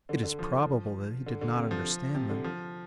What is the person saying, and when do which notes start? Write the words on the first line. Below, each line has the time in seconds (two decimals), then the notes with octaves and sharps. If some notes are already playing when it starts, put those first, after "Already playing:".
It is probable that he did not understand them.
0.09 D3
0.23 D3
0.39 F3
1.26 D3
1.41 D3
1.56 C3
1.71 F3
2.15 C3
2.30 D3
2.44 F3